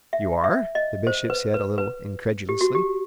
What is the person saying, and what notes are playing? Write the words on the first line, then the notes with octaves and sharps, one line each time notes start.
"You are?" the Bishop said a little incredulously.
E5
E5
D#5
C5
B4
B4
B4
G4
F#4
G4